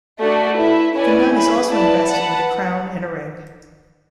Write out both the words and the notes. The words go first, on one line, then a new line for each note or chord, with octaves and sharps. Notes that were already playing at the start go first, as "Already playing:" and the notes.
The nun is also invested with a crown and a ring.
A3 D4 F#4 A4 D5
E4 B4 E5
C#4 E4 B4 D5 G#5
E4 G#4 B4
E4 B4 D5 A5
B4 F#5 A5